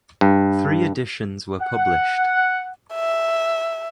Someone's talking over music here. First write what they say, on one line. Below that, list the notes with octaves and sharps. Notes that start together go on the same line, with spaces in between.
Three editions were published.
G2
F#5
E5